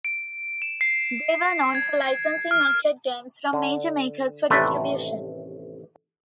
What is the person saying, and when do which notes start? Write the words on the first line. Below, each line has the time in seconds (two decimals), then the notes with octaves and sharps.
They were known for licensing arcade games from major makers for distribution.
0.05 D7
0.62 E7
0.81 C7
1.75 G#6
2.51 F6
3.53 D3
4.50 A1 D#2 C3 A3 B4 D5